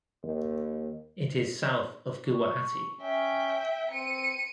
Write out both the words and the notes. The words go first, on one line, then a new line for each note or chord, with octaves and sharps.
It is south of Guwahati.
D#2
C#6
C#4 E5 G5
C4 C#7 D#7